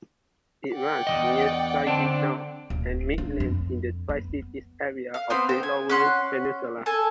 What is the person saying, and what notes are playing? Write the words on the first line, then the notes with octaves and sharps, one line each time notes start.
It runs near Saginaw and Midland in the Tri-Cities area of the Lower Peninsula.
D5 F#5 G5
E2 C#3 D#5
D3 C4 D4
D1
D4
F2
B3
F5
B3 C4 F5 C6
C5 G5
G#5
C#4 F#5 C6
A4 G#5